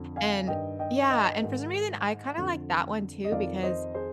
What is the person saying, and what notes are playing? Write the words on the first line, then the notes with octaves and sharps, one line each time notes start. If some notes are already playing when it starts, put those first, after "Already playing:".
and yeah, and for some reason, I kind of like that one too, because
Already playing: F2 D3
F5 G#5
G2 D#3 D#5 G5
D#5 G5
D#5 G5
G#2 D#3
F2 D3
D#5
F2 D#3 D5 F5
C5 D#5
G#4 C5